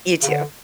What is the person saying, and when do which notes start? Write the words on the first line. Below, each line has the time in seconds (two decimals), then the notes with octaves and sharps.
You too.
0.23 C#3
0.28 D3